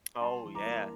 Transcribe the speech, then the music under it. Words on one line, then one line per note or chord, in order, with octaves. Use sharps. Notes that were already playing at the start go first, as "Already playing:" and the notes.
Oh, yeah.
G3 A5 C6
E3
A#5 D6
A#3